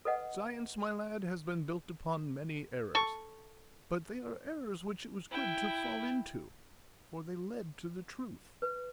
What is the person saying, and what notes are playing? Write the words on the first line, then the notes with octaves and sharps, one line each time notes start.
"Science, my lad, has been built upon many errors; but they are errors which it was good to fall into, for they led to the truth."
A4 B4 D#5 F#5
A4 C#6
E4 G5
B4